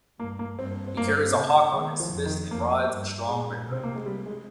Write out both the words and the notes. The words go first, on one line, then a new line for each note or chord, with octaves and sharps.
He carries a hawk on his fist and rides a strong bear.
G2 A#3
A#3
G2 C4
C4
G2 A#3
C4
C#3
D#3 G#3
F3
F2
D#3
F2 A#3
G2
A#2 G#3
C3 C4
A#3
G#3
G3
G#3